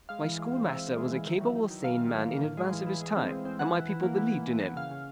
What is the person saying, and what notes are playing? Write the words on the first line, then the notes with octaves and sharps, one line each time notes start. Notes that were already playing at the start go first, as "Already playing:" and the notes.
My schoolmaster was a capable sane man in advance of his times and my people believed in him.
G#3 F5
E3
G#3
C4
C4 E5
C4
G#3
E3
D#3
F#3
D#3
D#3
A#3 F5
D#3
D#3
A#3
A2
G#3
E3
E3
G#3
C4
G#3
C4
E3 F#5
E3
E3
A#3
E3
E3
E3
E3
C#3 F5
C#3